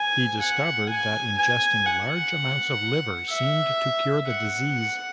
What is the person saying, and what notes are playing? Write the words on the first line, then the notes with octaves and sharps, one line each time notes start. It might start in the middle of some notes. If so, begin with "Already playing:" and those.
He discovered that ingesting large amounts of liver seemed to cure the disease.
Already playing: G#5
F#5
G#5
G#5
F#5
E5
F#5